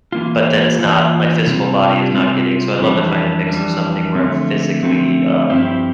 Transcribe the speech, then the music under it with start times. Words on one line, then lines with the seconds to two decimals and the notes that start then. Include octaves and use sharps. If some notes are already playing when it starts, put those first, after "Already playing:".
but then it's not my physical body is not getting so I'd love to find a mix of something where I'm physically, um
0.12 E3 A#3 F4
0.79 E3 A#3 F4
1.47 C3 G3 C4 F4
2.14 C3 G3 C4 F4
2.81 F2 E3 G3 D4
3.48 F2 E3 G3 D4
4.15 D3 F3 A3 C4
4.83 D3 F3 A3 C4
5.50 G2 F3 C4 E4 G4